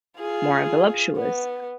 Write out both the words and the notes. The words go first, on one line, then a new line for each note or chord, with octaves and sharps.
more voluptuous,
F4 G#4
B3